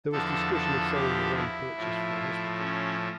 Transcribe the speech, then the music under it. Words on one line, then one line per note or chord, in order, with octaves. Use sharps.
There was discussion of selling the land purchased for a hospital.
E2 D3 F3 A4
A4
G4
E4
A2 F3
C#4